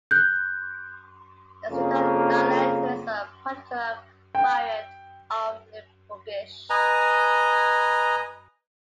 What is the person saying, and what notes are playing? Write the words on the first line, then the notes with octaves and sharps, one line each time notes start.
The Sittard dialect is a particular variant of Limburgish.
F#6 G6
F2 C#3 A#3
G5
B4 D#5 G#5 A#5